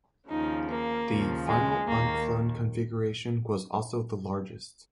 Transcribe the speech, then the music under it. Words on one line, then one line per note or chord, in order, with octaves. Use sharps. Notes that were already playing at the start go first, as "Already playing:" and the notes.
The final unflown configuration was also the largest.
D#2 C#3 F3 D#4
A#3
D#2 C#3 F3
G#3
D#2 D#3 A#3